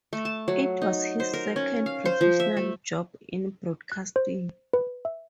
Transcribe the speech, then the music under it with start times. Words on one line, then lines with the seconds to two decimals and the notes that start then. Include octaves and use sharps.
It was his second professional job in broadcasting.
0.13 A3
0.25 A5
0.48 F#3
0.82 D#4
1.20 C5
1.33 A#4
1.56 C#4
1.86 F5
2.05 C5
2.21 F3
2.40 E5
2.57 A3
3.92 F#6
4.16 C5
4.74 B4
5.05 E5